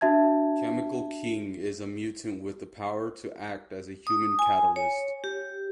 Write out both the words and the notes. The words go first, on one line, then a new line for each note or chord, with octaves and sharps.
Chemical King is a mutant with the power to act as a human catalyst.
D4 F#4 E5 A5 G#6
D#6
G#5
C#5
G4